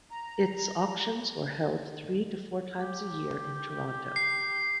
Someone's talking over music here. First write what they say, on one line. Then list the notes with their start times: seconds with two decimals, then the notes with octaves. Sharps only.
Its auctions are held three to four times a year in Toronto.
0.11 A#5
2.79 G4
4.16 C7